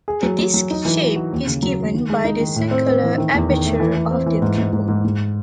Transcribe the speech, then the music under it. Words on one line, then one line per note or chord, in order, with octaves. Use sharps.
The disk shape is given by the circular aperture of the pupil.
G#4
F#3
F#3
F#3
D#4
E3
F#4
F#4
D#2
C#3
F#3
D#2
D#3
G#3
D#4
D#3
A2
C4
C4
E3
D#3
E2
D#3
A3
E3
E3
C4
E3
G#2
G#2
G#2
G#2
G#2